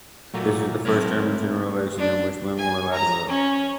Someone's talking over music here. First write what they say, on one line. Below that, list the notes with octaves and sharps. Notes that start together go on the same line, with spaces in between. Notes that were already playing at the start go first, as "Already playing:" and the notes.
This was the first German general election in which women were allowed to vote.
A#2 F#3 A3 A#3
F#3 A3 C4 E4 A#4 C#5
D4
G#5
A#5
C#4